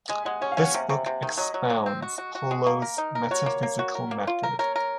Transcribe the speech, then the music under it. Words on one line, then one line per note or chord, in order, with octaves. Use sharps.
This book expounds Polo's metaphysical method.
G#3 G#5
G#3 F#5
C#4 G#5
F5
C#4 F#5
C3
C3
C3
D#3
F#3 D#5
F#3
F#3
C4
F#4
F#4
F#4
G#3
A#3
A#4
D#4
A#4
F#4 C#5
A#3
A#3
F#4
A#4
A#3
F4
A#4
A#4 C#5
A#4